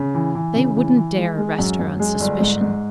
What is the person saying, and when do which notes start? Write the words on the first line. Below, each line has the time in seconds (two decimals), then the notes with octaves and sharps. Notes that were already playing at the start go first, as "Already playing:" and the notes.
"They wouldn't dare arrest her on suspicion."
Already playing: C#3
0.14 E3
0.35 E3
0.56 C#3
0.77 E3
0.97 E3
1.17 G#3
1.38 G#3
1.58 F#2
1.79 F#2
2.00 G#3
2.20 G1
2.40 G#2
2.61 G#2